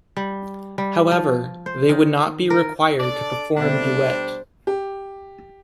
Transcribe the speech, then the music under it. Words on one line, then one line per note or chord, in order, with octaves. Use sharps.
However, they would not be required to perform duet.
G3
G3
F3
C5
D#3
A#4
D4 A4 D5
B2 G3 A3 C4 D4
C5
G4